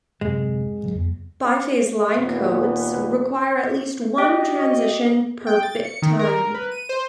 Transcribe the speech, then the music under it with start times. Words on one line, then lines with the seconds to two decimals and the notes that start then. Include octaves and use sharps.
Biphase line codes require at least one transition per bit time.
0.21 D1 F#2 C3 G#3
0.82 D1 C#3 F#3
0.95 F2 B3
2.18 D#2 A#2 B3 B4
4.18 F#4 G4 D5 D#5
5.47 G5
5.63 A6
5.84 C#7
6.02 D#3
6.19 A#4
6.54 B4
6.72 D#7
6.89 C5